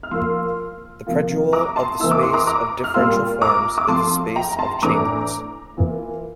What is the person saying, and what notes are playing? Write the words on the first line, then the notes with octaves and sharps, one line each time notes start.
The predual of the space of differential forms is the space of chainlets.
F6
F3 A#3 F4 C6 E6
C3 F3 A#3 F4
A#5 D6
A5 C6
E3 A#3 E4 E6
D6
C6
A#5 D6
A#5 D6
F6
A#2 G3 A#3 F4 C6 E6
A#5 D6
D6
F3 A3 C4 A5 C6
G5 A#5
A#5
A5 C6
A2 E3 A3 D4 A#5 D6
E3 A#3 F4